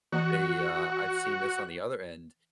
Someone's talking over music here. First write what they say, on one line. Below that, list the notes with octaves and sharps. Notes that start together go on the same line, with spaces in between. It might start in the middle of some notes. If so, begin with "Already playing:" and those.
they, uh, I've seen this on the other end,
E3 A#3 F#4 F#5